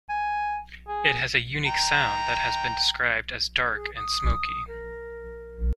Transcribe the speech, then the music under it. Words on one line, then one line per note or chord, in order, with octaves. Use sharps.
It has a unique sound that has been described as "dark and smokey".
G#5
G#4
G5 A#5
G#4
D#6
A#4